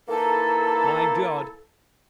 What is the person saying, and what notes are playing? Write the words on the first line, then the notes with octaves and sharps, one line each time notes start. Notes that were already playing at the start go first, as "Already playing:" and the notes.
My God!
E3 A#3 D#4 E4 A4